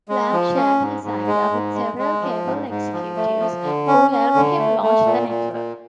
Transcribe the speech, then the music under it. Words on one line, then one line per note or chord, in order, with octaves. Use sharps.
Lamb shared his idea with several cable executives, who helped him launch the network.
G#3
F3
C#4
G#2
G#2
G#3
G#2
G#3
G#3
F3
G#2
G#2
F3
A3
F3
D3
C#4
C#4
D3
A3
A3
A#2
A#2
A#2